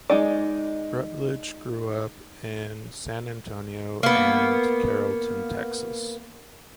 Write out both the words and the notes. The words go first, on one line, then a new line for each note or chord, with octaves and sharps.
Rutledge grew up in San Antonio and Carrollton, Texas.
G#3 D#4 D5
A#3 B3